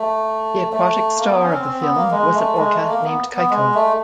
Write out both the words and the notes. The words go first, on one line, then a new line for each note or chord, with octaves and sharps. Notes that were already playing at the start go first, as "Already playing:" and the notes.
The aquatic star of the film was an orca named Keiko.
Already playing: A3
A3
A#3
B3
C#4
C4
C4
B3
A#3
G#3
A3
G#3
A3
A#3
B3
B3
G#3
A3